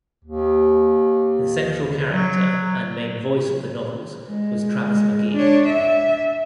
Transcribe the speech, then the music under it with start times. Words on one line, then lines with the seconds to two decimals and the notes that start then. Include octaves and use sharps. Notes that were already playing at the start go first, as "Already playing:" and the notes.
The central character and main voice of the novels was Travis McGee.
0.25 D#2
2.12 F#3
4.27 G#3
4.84 G#3
5.34 D4 C#5
5.65 E5